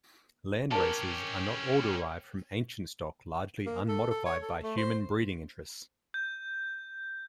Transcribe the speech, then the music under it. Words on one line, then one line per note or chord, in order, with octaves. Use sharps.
Landraces are not all derived from ancient stock largely unmodified by human breeding interests.
C#4 G4 A#4 A5
A#3
A4
A4
C#5
A4
A3
C5
G6